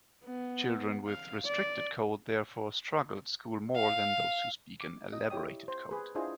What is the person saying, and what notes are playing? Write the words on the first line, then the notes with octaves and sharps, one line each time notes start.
Children with restricted-code, therefore, struggle at school more than those who speak an "elaborated-code".
B3
F5
D5
F5
D6
D#5
E4 G4 C#5 G5 D#6
C5
G#4 B4
D4 E4 F4 G#4 C5 D#5